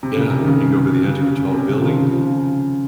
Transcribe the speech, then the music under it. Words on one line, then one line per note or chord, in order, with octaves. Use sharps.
Yeah, looking over the edge of a tall building.
C3
C#3
C3
D#3
C#3
C#3
C#3
C#3
C3
C#3
F3
D#3
C#3
F3
C#3